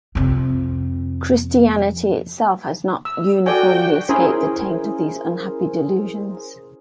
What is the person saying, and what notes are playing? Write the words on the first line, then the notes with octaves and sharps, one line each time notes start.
Christianity itself has not uniformly escaped the taint of these unhappy delusions.
F2 C3
E6
F#4 A4 D5 G5 G#5
C#4 E4 G#4 A#4 C5